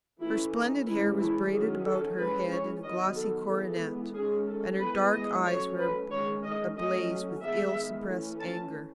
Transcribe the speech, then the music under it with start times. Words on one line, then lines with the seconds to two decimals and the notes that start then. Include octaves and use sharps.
Her splendid hair was braided about her head in a glossy coronet, and her dark eyes were ablaze with ill-suppressed anger.
0.21 E3 A3 C#4 E4
0.54 D#4
0.86 E3 G#3 C#4 E4
1.19 E4
1.52 D#3 F#3 C#4 G#4
1.85 A4
2.18 E3 G#3 C#4 B4
2.50 C#5
2.83 D#3 F#3 B3 D#5
3.15 A4
3.48 E3 G#3 B3 A4
4.14 D#3 G#3 C#4 G#4
4.47 A4
4.79 E3 G#3 B3 B4
5.12 D#5
5.46 F#3 A3 C#4 C#5
5.78 B4
6.11 D#3 G#3 C#4 C#5
6.43 D#5
6.76 F#3 A3 C#4 D#5
7.42 D#3 G#3 B3 E5
8.08 E3 A3 C#4
8.40 A5